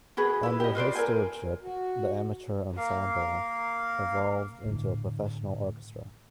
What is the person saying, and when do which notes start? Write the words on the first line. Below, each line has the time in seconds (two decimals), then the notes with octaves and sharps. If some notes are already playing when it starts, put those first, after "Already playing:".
Under his stewardship, the amateur ensemble evolved into a professional orchestra.
0.17 F#4 G#4 B4
0.43 E4 B4
0.60 G4 D#5
0.75 F4 B4 C5 D5
0.95 A#4 G#5
1.62 F#4
2.77 A#3 A#4 F5
4.66 A2 D3